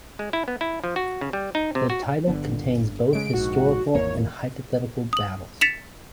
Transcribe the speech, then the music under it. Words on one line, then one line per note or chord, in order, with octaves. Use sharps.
The title contains both historical and hypothetical battles.
G#3
E4
B3
E4
F3
F#4
C#3
G3
D#4
C3
F#4
G1 D3 B3
C#3 G#3 C#4 D7
A#1 G#2 F#4
G#1 E2 A#3 C#5
D#6 F#7
A6 B6 C#7 E7 F7